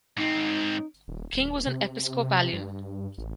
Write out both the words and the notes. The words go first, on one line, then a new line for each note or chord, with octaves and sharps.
King was an Episcopalian.
G#2 C4 D#4
D#1
D#1
C3
G2
A1